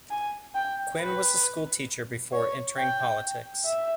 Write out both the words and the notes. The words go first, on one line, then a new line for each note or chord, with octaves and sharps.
Quinn was a schoolteacher before entering politics.
G#5
G5
B4
C#5
G5
E5